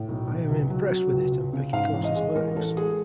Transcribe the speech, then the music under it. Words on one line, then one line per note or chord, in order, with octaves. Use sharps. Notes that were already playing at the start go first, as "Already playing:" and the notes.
I am impressed with it and Pecikoza's lyrics.
Already playing: A2
B1
B1
C#2
F#3
F#3
C#2
C#2
C#3
G#2 F5
A1
D#5
G#3
A1 A#4
A1 A4
G#3 G#4